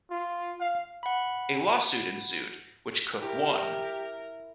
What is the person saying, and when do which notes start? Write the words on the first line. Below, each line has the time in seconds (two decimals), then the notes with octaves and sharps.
A lawsuit ensued, which Cook won.
0.11 F4
0.60 F5
1.03 F#5 B5
3.22 E4 G4 A#4